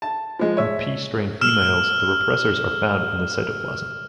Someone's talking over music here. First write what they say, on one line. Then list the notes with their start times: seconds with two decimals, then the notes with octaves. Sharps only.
In P strain females, the repressors are found in the cytoplasm.
0.02 A5
0.39 F3 G#3
0.57 C#5 E5
1.41 E6 F6 E7